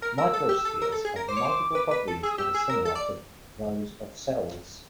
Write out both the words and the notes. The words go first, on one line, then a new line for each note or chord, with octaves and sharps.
Microspheres have multiple properties that are similar to those of cells.
A#4 F6
A#4 E6
A4
G4
A4
A#4
A4
G#4
A#4
C5 D6
C#5
C5
B4
B4
A4
G#4 E6
D#6
G4 E6
G#4
A#4
A4
D5